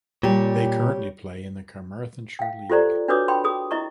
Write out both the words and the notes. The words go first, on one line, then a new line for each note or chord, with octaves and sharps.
They currently play in the Carmarthenshire League.
A#2 G3 G4 C#5
F5 G5
F4 G4 A4 C5 D5 A#5
D4 F#4 B4 C#5 D6 D#6
G5 B5 C6
G#4 D#6
E4 D#5 A#5 C#6